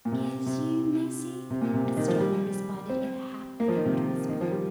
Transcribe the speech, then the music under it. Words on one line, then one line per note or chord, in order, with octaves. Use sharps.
"Is you, Missy?" Estralla responded in a half-frightened whisper.
A#2
C3
C3
C3
A#2
C3
C3
D#3
F3
G3
C4
A#3
F3
D#3
C3
D#3
F3
G3